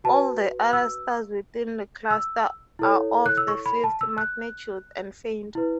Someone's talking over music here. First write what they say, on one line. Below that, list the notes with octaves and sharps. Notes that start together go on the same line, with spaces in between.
All the other stars within the cluster are of the fifth magnitude and fainter.
F#4 B4 A5
E6
E6
E4 A4 C#5
F#6
E6
C#6
B5
A5
E6
F#6
E4 B4